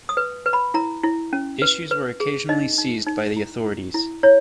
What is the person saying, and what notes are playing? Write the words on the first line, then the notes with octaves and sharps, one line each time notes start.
Issues were occasionally seized by the authorities.
D#6
B4
B4
B5
E4 A#5
E4
C#4
B4
B4
G#4
D#4 D#5
D#4
D#4
E4
E4
E4
E4 C#5